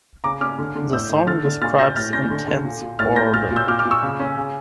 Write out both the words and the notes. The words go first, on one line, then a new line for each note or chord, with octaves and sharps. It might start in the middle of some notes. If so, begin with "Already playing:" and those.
The song describes intense boredom.
C#3 A#5 D6
C#4 D6 F6
D3
D3
A2 E6 G6
A2
D3 F6 A6
D3
A#2 F6 A6
A#2 G6 A#6
A2 F6 A6
C#4 G6 A#6
D3
D3
A#2
A#2
A2 F6 A6
A#3 G6 A#6
A#2 F6 A6
A#2
E6 G6
A#2 D6 F6
D6 F6
A#2
C#6 E6
C#3
C#4
C#3